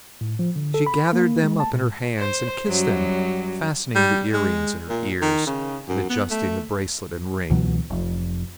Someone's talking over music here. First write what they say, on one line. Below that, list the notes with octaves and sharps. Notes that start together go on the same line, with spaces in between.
She gathered them up in her hands and kissed them, fastening the ear-rings in her ears and adjusting the bracelet and ring.
A2
F3
D3
A4
B5
A#3
G#3
A5
A#2
C5
F#2 F#3 G3
G3
G#3
A#2
D#3
C#3
F#2
B3
A3
C#2 B2 E3 F#3
F1 F2